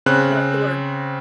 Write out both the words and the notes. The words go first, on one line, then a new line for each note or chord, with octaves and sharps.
You have to learn
C#3 C4 F#6